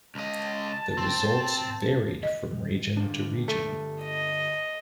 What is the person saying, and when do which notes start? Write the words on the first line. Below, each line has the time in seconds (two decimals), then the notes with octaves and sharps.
The results varied from region to region.
0.15 C#2 D#5 A5
0.98 C4
2.23 D#5
2.97 G1 D4
3.48 A3
4.01 D#5